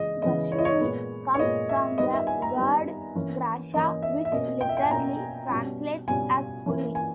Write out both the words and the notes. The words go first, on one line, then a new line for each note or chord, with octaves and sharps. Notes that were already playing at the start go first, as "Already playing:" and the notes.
"Garshuni" comes from the word "grasha" which literally translates as "pulling".
Already playing: C#3 E3 G#3 D#5
C#3 E3 G#3 B3 D#5
C#5
D#5
C#5
A#2 G#3 B3
C#5
A#2 G#3 B3 D#5
E5
D#3 G3 B3 D#5
E5
G#5
A#5
D#3 G3 B3
E3 A#3 C#4
E3 A#3 C#4 D#5
E5
E5
B2 A#3 C#4 D#5
G5
E5
G5
G#5
B2 A#3 C#4 A#5
B2 G3 C#4
B2 G3 C#4 G#5
E3 A#3 C#4
G#5